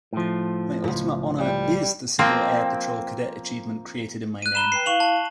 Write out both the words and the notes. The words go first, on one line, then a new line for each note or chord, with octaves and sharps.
My ultimate honor 'is' the Civil Air Patrol cadet achievement created in my name.
A2 F3
C#2 G#2
G3
F3 A#3 C4
F#6 D#7
A#5 B5 E7 G7
B4 G5 C7
E4 F5 C#6 F7 F#7
A5